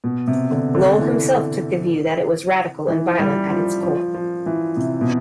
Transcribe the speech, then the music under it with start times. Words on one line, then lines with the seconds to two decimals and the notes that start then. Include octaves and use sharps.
Lowell himself took the view that it was radical and violent at its core.
0.04 B2
0.28 C3
0.51 D3
0.75 D3
0.99 E3
2.88 E3
3.19 G3
3.51 F3
3.83 F3
4.14 F3
4.46 E3
4.77 C3
5.01 B2